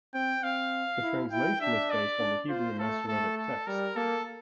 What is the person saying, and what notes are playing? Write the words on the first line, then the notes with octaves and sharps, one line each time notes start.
The translation is based on the Hebrew Masoretic text.
C4 G5
C4 F5
E4
E4 G5
D4 E5
D5
D4
F4 C5
A3 A4
A3 A4
A4
G3 A#4
A#3 A4